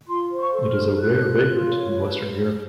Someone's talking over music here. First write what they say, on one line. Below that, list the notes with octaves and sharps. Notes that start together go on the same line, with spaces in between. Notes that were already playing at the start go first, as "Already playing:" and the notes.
It is a rare vagrant in western Europe.
F4 C6
C5
C#6
A4
F6
A4
F4 F#6
F4
F4
C#5
B4